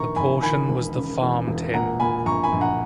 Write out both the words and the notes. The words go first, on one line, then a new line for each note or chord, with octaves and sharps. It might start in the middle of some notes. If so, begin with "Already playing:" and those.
The portion was the "farm tin".
Already playing: A#1 D#3 A#5 C#6
A#1 G#5 B5
D#3 G#5 B5
E1
C#3
E2
E1
A#2 F#5 A#5
A#2 G#5 B5
A#1 A#5 C#6
G#5 B5
A#1
F#5 A#5